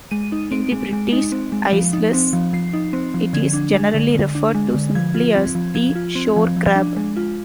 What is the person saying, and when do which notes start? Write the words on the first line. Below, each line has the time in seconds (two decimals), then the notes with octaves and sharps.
In the British Isles, it is generally referred to simply as the "shore crab".
0.11 G#3 D#7
0.32 D#4
0.52 C4 D7
0.72 G#3
0.93 G#3
1.13 D#4
1.32 C4
1.52 G#3
1.73 F3
1.93 D#4
2.13 C4
2.33 F3
2.53 F3 C7
2.73 D#4
2.93 C4
3.14 F3
3.33 D3 G#6
3.53 D4
3.73 G#3
3.94 D3
4.15 D3
4.35 D4
4.55 G#3
4.74 D3
4.95 F3 G#6
5.14 F4
5.36 C4
5.55 F3
5.75 F3 G#6
5.95 F4
6.15 C4
6.36 F3
6.57 F3
6.76 D4
6.97 G#3
7.17 F4